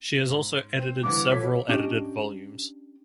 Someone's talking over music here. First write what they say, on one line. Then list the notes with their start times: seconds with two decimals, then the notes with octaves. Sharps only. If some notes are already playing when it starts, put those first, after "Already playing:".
She has also edited several edited volumes.
0.28 G#2
0.79 C4
1.03 G2 D3 E3 D6
1.31 F3 A4 C#5 B6
1.68 C#4 D4 G4 D#5